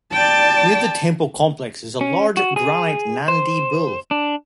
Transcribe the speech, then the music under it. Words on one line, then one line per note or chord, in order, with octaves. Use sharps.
Near the temple complex is a large granite Nandi bull.
D5 G5 A5
C#4
F#4
G#4
C5
D4